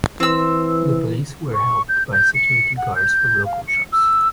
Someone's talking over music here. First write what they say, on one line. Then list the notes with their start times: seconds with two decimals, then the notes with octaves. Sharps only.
The police were helped by security guards from local shops.
0.20 E3 C4 E6
1.54 C#6
1.89 G6
2.13 G6
2.35 C#7
2.78 F#5
2.96 G6
3.45 F5
3.68 C#7
3.92 E6